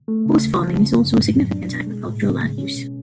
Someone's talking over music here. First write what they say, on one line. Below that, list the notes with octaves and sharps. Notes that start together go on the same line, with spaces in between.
Horse farming is also a significant agricultural land use.
A3
C#3
D2
F3
C#3
F#2
A2
F#3
D4
B2
G#3
A2
C#3
G#3
C#4
B2